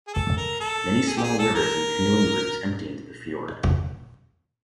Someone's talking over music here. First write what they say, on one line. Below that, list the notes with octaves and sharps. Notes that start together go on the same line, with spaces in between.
Many small rivers and canoeing routes empty into the fjord.
G#4
A4
A#4
A4
G#4
G4
G#4
A4
A#4